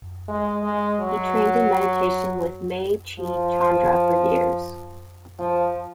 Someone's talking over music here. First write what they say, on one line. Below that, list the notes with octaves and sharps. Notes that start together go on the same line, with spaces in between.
He trained in meditation with Mae chi Chandra for years.
G#3
G#3
F#3
F3
F3